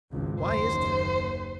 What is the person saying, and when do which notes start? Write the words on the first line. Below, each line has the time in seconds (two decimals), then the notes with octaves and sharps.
Why is that?
0.11 G#1 C#2
0.41 F#1 D#2 C5